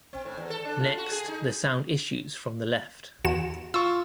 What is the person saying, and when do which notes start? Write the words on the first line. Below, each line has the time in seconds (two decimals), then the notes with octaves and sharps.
Next the sound issues from the left.
0.13 C4
0.25 A2
0.37 E2
0.50 A4
0.65 D4
0.79 F4
0.98 F#4
1.11 G#4
1.28 D#4
3.25 E2 F#4 E7
3.74 F4 C#6 E6